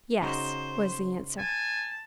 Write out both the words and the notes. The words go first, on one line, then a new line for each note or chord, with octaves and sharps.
"Yes," was the answer.
C#3 D#4 F#4 C5
G#5 A5